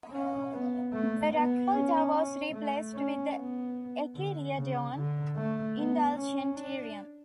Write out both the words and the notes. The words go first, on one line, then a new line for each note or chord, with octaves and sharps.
The "Raccolta" was replaced with the "Enchiridion Indulgentiarum".
C#4
B3
A3
B3
C#4
C#4
A3
C#4
B3
D3
C#3
D3
A3
B3
C#4
D4